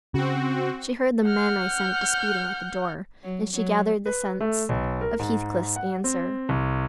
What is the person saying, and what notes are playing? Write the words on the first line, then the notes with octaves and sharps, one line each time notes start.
She heard the men I sent disputing at the door, and she gathered the sense of Heathcliff's answer.
C#3 C4 F#4
F#5 F6 G6
F#3
F#3
B4
A3
B1
A#4
G#2
F#5
C4
C2